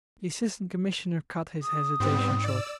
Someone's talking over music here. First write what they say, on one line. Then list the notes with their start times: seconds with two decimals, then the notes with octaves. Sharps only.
The Assistant Commissioner cut his hesitation short.
1.63 D#6
2.00 G#2 G3 B3 C4
2.44 D5 E6